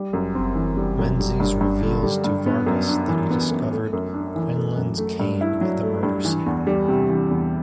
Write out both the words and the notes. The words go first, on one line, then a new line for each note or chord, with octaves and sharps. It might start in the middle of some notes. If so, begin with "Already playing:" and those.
Menzies reveals to Vargas that he discovered Quinlan's cane at the murder scene.
Already playing: G3
F#2
C4
E3
G3
F#2
G3
G2
G2
D3
G3
G2
B3
F#2
D4
E3
B3
F#2
A3
F#2
D4
E3
A3
F#2
A3
G2
E4
F#3
A3
G2
E3
E2
G3
C3
E3
E2